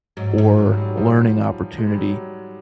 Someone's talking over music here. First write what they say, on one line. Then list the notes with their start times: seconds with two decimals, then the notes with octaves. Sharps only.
or learning opportunity
0.17 G#2 F#3
0.37 G#2 F3
0.56 F#3
0.72 G3
0.77 F#3
0.97 F3
1.78 G#3
1.87 G3
1.97 F#3
2.06 G3